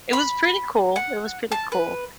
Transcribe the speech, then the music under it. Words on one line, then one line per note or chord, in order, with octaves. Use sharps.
it was pretty cool, it was pretty cool.
B5
F#5
A5
B4